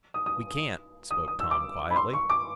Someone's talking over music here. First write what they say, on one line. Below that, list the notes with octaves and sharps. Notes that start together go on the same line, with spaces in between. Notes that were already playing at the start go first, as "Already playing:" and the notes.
"We can't," spoke Tom, quietly.
D#6
D#6
D#6
D#6
E6
D6
B5
C6
C#6
D6